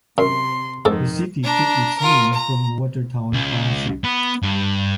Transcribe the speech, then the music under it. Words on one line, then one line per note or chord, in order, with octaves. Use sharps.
The city took its name from Watertown Township.
F#2 C3 C6
F2 G#2 D#3 A4
D4 A#5
F4 A#4
A#5
C#2
B3
G2